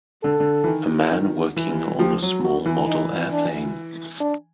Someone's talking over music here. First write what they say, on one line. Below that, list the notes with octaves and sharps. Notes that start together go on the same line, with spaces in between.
A man working on a small model airplane.
D3 A4
D3
E3
D#3
D#3
E3
F3 G4
F#3
F#4
E3
D#4
D4
D4